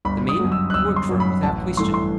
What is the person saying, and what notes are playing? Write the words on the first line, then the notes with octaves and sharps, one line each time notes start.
The men worked for him without question.
G1 B5
D#6
F#2 F#3
E6
F#6
G1 E6
C6
F#2 F#3
B5
A1 A5
G2 E3 A3 C6
C6